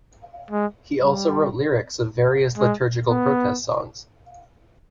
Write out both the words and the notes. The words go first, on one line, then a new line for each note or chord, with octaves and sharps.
He also wrote lyrics of various liturgical protest songs.
G#3
G3
G#3
B3